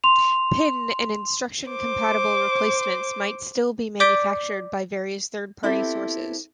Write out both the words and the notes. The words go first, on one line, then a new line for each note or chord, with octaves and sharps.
Pin- and instruction-compatible replacements might still be manufactured by various third party sources.
C6 F7
C5 D6
D5 D6 G6 B6 D7 G7
B3 C4 E4 G4 A4